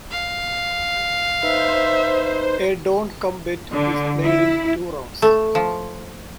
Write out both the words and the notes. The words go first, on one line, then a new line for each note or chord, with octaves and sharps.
A don't come bet is played in two rounds.
F5
D#4 B4 C5 E5
D3
E4
A3
F3